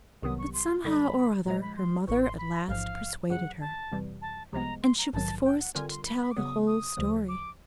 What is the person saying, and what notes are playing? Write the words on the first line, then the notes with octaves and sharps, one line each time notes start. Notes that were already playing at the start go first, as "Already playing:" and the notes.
But somehow or other her mother at last persuaded her, and she was forced to tell the whole story.
C2 C3 D#3 F#3 B3 D#6
C#6
C6
F#2 D3 G3 B5
A#2 F3 G#3 A#5
B5
C6
A1 A2 E3 C#6
C6
B5
A1 G#2 F3 F5
F#2 C#3 F#3 F#5
A5
F2 C3 E3 G3
A5
C2 C3 F3 G#3 B3 A#5
C6
A#5
A#1 G#2 D#3 F#3 A5
G5
F#5
D3 G3 C4 F4 A#4 G#5
C6
B5
B5
D6
C#3 F#3 B3 D#6
D#6
D2 C#3 F3
D6